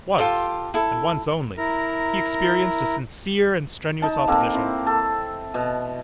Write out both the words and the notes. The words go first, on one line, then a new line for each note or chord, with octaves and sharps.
Once, and once only, he experienced a sincere and strenuous opposition.
F4 G4 A4 C5
E4 A4
E4 A#4 A#5
D#4 A5
A#3 C4 A4
C4 E4
A4
B2